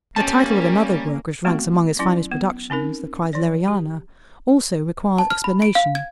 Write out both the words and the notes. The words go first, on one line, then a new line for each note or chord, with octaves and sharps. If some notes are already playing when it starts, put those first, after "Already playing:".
The title of another work which ranks among his finest productions, the "Kreisleriana," also requires explanation.
G3 A#3 C#4 A5
A3 B3 C4 F#4
F#3 C#4 E4
B3
C4 C#4 D#4 A#4
F3 D5
G4
A5
F6
B5
D7
F5
G#6